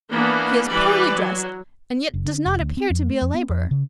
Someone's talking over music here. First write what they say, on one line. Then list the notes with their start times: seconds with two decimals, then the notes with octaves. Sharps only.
He is poorly dressed, and yet does not appear to be a labourer.
0.12 E3 A#3 B3 D4
0.70 E3 G3 B4 D5
1.13 F#3
2.14 F#1
2.25 D3
2.46 F1
2.59 D2
2.77 C4
2.90 F2
3.09 A3
3.22 F2
3.34 B3
3.49 F2
3.71 C#3